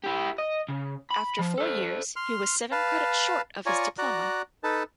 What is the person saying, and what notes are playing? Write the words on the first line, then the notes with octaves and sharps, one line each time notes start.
After four years, he was seven credits short of his diploma.
E4 G4
D#5
C#3
B5
F3
A4 C5
C6 F6
B4 F5 A5
F4 C#5 D5 G#5 A#5 C#6
F#4 D5 A#5 F#6
D#4 A4 B4 A5